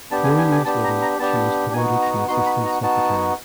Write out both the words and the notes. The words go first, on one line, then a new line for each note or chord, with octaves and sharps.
Four years later she was promoted to assistant secretary.
B3 D4 G4 A5
G#5
G#5
G#5
B3 D4 G4 A5
A#5
A#5
B3 D4 G4 A5
B3 D#4 F#4 G#5
A#5
B3 D#4 F#4 C6
B5
A#5
B3 D#4 F#4 A5